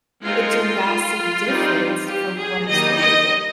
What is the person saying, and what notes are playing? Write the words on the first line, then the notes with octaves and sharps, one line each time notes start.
a drastic difference from what I started with."
G#3 C4 D#4 F4
G3 C4 D#4
G4
G#4
D#3 G3 A#3 D#4 D#5
D#5